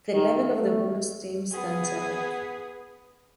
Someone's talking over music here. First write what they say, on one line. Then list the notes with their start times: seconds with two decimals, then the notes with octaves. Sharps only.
The level of the women’s teams stands out.
0.14 D#3
0.53 A3
1.52 B3 G#4